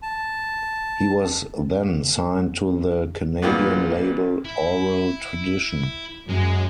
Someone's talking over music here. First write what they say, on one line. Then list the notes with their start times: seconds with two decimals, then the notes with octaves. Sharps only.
He was then signed to the Canadian label Aural Tradition.
0.03 A5
3.42 A#2 E3 F3 G3 G#3 B3
4.45 E4
6.29 F#2 G#3 G#4